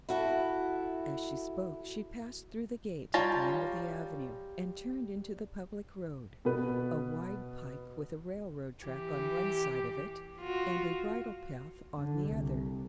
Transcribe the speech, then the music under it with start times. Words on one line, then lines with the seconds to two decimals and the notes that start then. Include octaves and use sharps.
As she spoke, she passed through the gate at the end of the avenue and turned into the public road, a wide pike with a railroad track on one side of it and a bridle-path on the other.
0.09 E4 F#4 A4
3.14 G3 F4 C#5 A5 A#5
6.45 B2 B4
8.84 E3 G4
10.41 F4 F#4
11.98 D3
12.30 C2